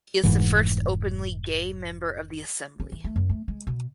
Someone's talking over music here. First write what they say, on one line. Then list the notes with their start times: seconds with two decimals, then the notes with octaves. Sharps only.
He is the first openly gay member of the Assembly.
0.23 F1 A#1 G#2 E3
2.80 C#4
2.92 E3
3.04 A3
3.16 F#2
3.30 A3
3.48 G#3
3.67 B2